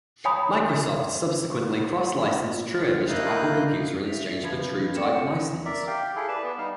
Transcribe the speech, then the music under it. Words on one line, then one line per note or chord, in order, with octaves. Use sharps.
Microsoft subsequently cross-licensed TrueImage to Apple Computer in exchange for a TrueType license.
C#5 F5 G#5 A#5 B5 D#6
A#3 E4 D#5 F5 F#6 G6
E5 B6 F7
F3 B4 B5 G#6
D#4
C4 A4 D5 D6 C#7 E7
A#4 D5 E5
G4 F5 G5
E4 G#4 A4
B4 D5 A5
B3
G3 D#4 F5